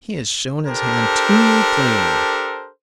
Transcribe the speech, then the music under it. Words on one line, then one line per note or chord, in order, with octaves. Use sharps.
He has shown his hand too plainly.
D4 G4 A4 A#4 C5